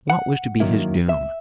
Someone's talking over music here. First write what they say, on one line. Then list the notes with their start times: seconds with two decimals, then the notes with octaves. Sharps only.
What was to be his doom?
0.10 F#5
0.60 F#2 D#3 F#3 A#3 E4
1.09 E5